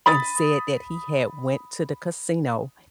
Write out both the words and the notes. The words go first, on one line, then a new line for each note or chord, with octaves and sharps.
and said that he had went to the casino
B5 D#6 A6